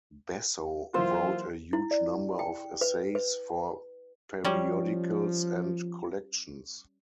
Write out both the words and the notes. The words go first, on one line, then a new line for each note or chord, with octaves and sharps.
Basso wrote a huge number of essays for periodicals and collections.
E3 F#3 A#3 F4 C5 E6
E4
D5
G5
B4
B4
F3 G3 C#4